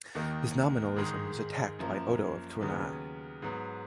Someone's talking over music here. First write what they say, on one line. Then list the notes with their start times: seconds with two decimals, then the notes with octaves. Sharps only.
His nominalism was attacked by Odo of Tournai.
0.15 D#2 D#3 A#3 D#4
0.97 G#2 D#3 G#3 D#4
1.79 F#2 F3 A#3
2.61 D#2 C#3 F#3 B3
3.42 G#2 F#3 B3